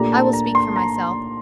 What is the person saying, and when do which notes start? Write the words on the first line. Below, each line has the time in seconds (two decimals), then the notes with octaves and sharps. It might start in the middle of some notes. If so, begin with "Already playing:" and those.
I will speak for myself.
Already playing: A#2 A3 D4 G4 A#5
0.12 A5
0.33 A#5
0.55 C6
0.76 A#5